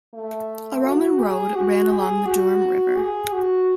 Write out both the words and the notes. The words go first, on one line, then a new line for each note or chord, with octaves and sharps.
A Roman road ran along the Durme river.
A3
F#4
G#4
F#4
G#4
F#4
G#4
F#4